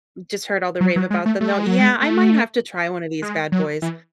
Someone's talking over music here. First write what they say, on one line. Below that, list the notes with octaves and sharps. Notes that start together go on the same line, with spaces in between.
Just heard all the rave about them, though, yeah, I might have to try one of these bad boys.
F#3
F#3
G#3
A3
A3
G#3
F#3
G#3
A3
G#3
F#3
E3